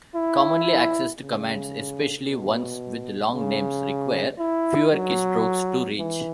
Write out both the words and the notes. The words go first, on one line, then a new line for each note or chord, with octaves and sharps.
Commonly accessed commands, especially ones with long names, require fewer keystrokes to reach.
E4
C#3
B2
C#3
E4
F#3
E3